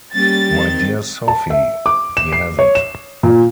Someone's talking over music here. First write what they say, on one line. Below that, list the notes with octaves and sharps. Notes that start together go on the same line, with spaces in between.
My dear Sophie, he hasn't.
G3 A#3 C#4 G4 A6
D#3 C4
A5
E5
D6
E7
C7
C#5
E7
A#2